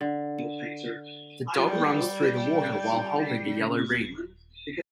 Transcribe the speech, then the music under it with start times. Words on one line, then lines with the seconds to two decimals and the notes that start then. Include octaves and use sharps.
The dog runs through the water while holding a yellow ring.
0.01 D3
1.66 G3 G5
3.89 D#1